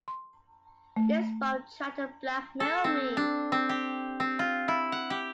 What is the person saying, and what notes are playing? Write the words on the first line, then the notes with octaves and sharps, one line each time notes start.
This bum tried to blackmail me!
C6
A3
A4
C4
D4
C4
G4
C4
F4
E4
F#5
G4